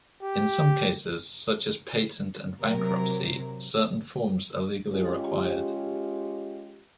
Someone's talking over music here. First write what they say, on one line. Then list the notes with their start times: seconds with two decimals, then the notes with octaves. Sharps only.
In some cases, such as patent and bankruptcy, certain forms are legally required.
0.22 G4
2.61 C3 F#3 A#4
4.92 G#3 C#4 F4 G4